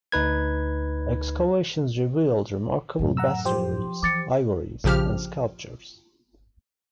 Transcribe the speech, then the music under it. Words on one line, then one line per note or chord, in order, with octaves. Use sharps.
Excavations revealed remarkable bas-reliefs, ivories, and sculptures.
D2 D#4 B4 G#6
F#2 A2
F#5 A#5 E6
F3 G4 C5
E3 D6 A6 C#7
A#1 C#3 F3 G4 F6